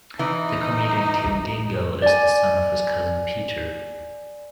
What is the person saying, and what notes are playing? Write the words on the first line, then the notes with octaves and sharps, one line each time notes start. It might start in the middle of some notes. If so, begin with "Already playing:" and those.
The comedian Kym Gyngell is the son of his cousin Peter.
E3 D#4
D5 G#5